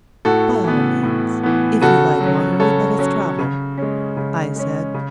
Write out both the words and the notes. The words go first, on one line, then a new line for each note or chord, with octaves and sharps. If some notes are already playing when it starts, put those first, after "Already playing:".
"By all means, if you like, Marguerite, let us travel," I said.
A2 F#4 A4
E3 B3
A2
E3 B3
C#3 F#4 A4
F#3
C#4
C#3 A4 C#5
F#3 C#4
C#3
G#3 C#4
C#3
G#3 C#4
C#3